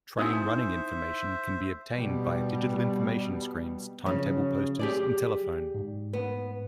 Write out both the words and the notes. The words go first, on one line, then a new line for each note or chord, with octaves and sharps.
Train running information can be obtained via digital information screens, timetable posters and telephone.
D#4 E4 C5 E5 G#5 D#6 E6
B2 G3
C#3 F3
F#3
G4 G#4 D5
G#2
B3